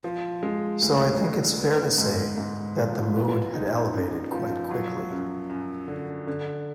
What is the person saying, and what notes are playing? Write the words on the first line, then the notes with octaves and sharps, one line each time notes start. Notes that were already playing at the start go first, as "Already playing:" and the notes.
So I think it's fair to say that the mood had elevated quite quickly.
F3
G#3
D2
D3
B3
G#2
G#2
F3
B3
D#4
F#2
F3
F#3
F#2
F#2
D3
D3